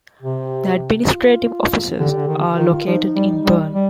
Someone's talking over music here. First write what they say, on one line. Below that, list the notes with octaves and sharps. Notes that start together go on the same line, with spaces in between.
The administrative offices are located in Bern.
C3 G4
F4
D3 G4
D3
D#3 G4
D#3 F4
F3 D#4
G3
G3
G3